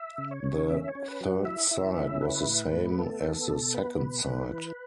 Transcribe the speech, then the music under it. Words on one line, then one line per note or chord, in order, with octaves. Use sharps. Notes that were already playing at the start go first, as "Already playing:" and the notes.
The third site was the same as the second site.
Already playing: E5
C#3
C#5
C#3
C#4 E5
C#5
C#4
B4
F#3
F#4
E4 E5
E4
C#4
E4 B4
A2
A3
B3 A4
B3
B2
B3 B4
B2
B2
E3